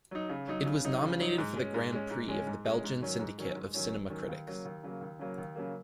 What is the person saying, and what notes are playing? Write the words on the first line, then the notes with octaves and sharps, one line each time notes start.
It was nominated for the Grand Prix of the Belgian Syndicate of Cinema Critics.
F#3 D#4
C#3
F#3 D#4
C#3
F#3 D#4
C#3
F#3 D#4
G#2
G#3 C#4
G#2
G#3 C#4
G#2
G#3 C#4
G#2
G#3 C#4
G#2
D#3 F#3 C#4
G#2
D#3 F#3 C#4
G#2
D#3 F#3 C#4
G#2
D#3 F#3 C#4
D#2
C#3 F#3 A#3
D#2
C#3 F#3 A#3
D#2
C#3 F#3 A#3
D#2
C#3 F#3 A#3